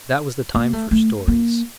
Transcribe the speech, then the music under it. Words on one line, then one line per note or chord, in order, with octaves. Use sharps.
That was the time for stories.
A#3
A3
A3
A#3